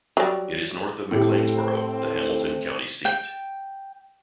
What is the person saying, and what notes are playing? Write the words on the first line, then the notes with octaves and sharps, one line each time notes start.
It is north of McLeansboro, the Hamilton County seat.
F#3 G3
A2 A3 C4 G4
G5